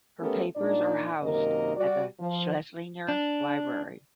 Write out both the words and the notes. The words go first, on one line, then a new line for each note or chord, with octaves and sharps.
Her papers are housed at the Schlesinger Library.
A3 B3 C#4 G4 A4 A#4
A#2 D4 D#4 D5
F#2 C3 D#3 A#3 A#4 D#5
G3 F#4 D5
F3
D4